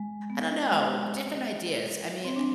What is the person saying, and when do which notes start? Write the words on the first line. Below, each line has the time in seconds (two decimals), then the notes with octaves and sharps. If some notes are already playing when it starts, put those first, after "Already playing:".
I don't know, different ideas, I mean, eh
Already playing: G#3
0.30 B3
0.69 G#3
2.25 C4
2.36 D4